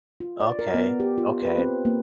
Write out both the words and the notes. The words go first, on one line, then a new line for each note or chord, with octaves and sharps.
Okay. Okay.
F4
D5
A#4
B3
G4
F4
B4
C4
A#3